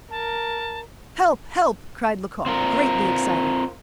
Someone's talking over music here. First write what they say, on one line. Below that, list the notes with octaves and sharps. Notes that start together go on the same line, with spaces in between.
"Help! help!" cried Lecoq, greatly excited.
A#4 A5
C4 F4 A#4